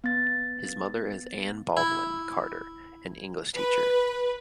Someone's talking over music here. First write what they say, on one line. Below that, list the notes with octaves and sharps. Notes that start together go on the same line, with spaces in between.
His mother is Anne Baldwin Carter, an English teacher.
B3 A6
E4
B4